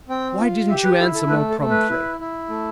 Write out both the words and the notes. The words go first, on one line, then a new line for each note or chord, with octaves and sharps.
Why didn't you answer more promptly?
C4 G5
F4
G4 E5
B4
E4 A4
A4
A3 B4
A4
A3
B4
E4
E4
A3